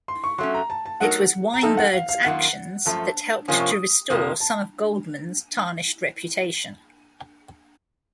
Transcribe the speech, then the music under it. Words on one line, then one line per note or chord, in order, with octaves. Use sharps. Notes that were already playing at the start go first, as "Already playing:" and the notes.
It was Weinberg's actions that helped to restore some of Goldman's tarnished reputation.
C6
C#6
F#3 A3 C#4 C6
A#5
A5
A5
F#3 A3 D#4 A#4 F#5
A#5
F3 A3 C4 D#4 A4 A5
F#5
F5
F5
F#2 D#3 A#3 F4 F#5
F#2 F3 A3 A5
C3 F3 A#3 C#4 F4 D#6
C#6
D#6
F2 C3 F3 A#3 D#6
A5